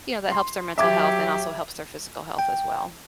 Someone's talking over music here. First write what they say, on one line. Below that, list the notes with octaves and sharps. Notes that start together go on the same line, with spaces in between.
you know, that helps their mental health and also helps their physical health as well.
C6
F#3 G4 E5 D6 G#6
G5